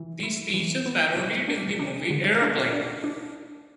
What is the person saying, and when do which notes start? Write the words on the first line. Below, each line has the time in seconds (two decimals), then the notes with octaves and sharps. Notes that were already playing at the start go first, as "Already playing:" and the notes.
The speech is parodied in the movie Airplane!
Already playing: E3
0.23 E4
0.54 E3
0.86 B3
1.16 G3
1.48 D4
1.79 D4
2.10 D3
2.42 D4
2.73 D4
3.04 D4